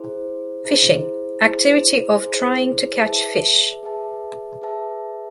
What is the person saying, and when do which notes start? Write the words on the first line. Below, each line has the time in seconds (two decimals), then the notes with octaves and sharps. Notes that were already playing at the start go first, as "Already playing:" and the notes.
Fishing - activity of trying to catch fish.
Already playing: E4 G#4 C5
0.65 E4 G#4 C5
1.44 E4 G#4 C5
2.23 E4 G#4 C5
3.02 G#4 B4 E5 A5
3.83 G#4 B4 E5 A5
4.62 G#4 B4 E5 A5